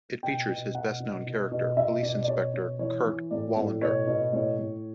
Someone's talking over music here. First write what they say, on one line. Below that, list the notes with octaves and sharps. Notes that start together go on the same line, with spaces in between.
It features his best-known character, police inspector Kurt Wallander.
B2 G5
B2
B2 F#5
B2
B2
B2
B2 E5
B2 D5
D5
B2 C#5
B2 C#5
E3 C#5
E3
A2 D5
A2
B2 C#5
B2
A2 C#5
A2